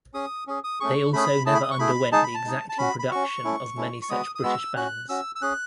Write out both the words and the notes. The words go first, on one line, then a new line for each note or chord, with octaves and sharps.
They also never underwent the exacting production of many such British bands.
C#4 G#4 D#6
C#4 G#4
D#6
A3 C#4 G#4 C#6
A3 C#4 G#4 B5
A3 E4 G#4 A5
B5
D#6
C#6
A3 E4 G#4 B5
G#3 D#4 G#4 A5
B5
A5
G#3 D#4 G#4
A5
C#4 F#4 B5
B5
C#4 F#4 C#6
A3 C#4 E4
A3 C#4 E4
C#6
G#3 B3 F#4 D#6
D#6
G#3 B3 F#4 E6
C#4 F#4 F#6
C#4 F#4 E6
E6
C#4 G#4 F#6